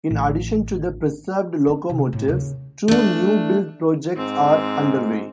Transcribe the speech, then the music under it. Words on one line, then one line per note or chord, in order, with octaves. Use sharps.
In addition to the preserved locomotives, two new-build projects are underway.
A1
C4 D4
C3
A2
D#2 C#3
A3 D4
G#2 C4